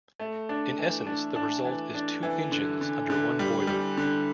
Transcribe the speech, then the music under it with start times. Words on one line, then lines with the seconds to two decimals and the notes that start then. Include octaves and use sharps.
In essence, the result is two engines under one boiler.
0.19 A3
0.49 D4
0.79 E3
1.07 D4
1.36 D4
1.65 E3
1.94 D4
2.23 E3
2.52 D3
2.81 D3
3.10 D3
3.39 G3
3.67 G3
3.97 D3